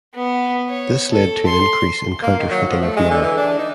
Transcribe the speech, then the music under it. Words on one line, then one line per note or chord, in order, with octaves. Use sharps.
This led to an increase in counterfeiting of money.
B3
C#5
A4
C6
A#3
D#3
F#3
F3
A3
G#3
D3
E3
D4
D#4